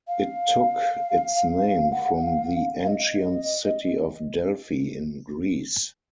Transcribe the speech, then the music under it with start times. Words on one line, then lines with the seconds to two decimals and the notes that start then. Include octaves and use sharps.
It took its name from the ancient city of Delphi, in Greece.
0.08 F5
1.92 F#5
2.22 F5
2.84 F5
2.87 D#5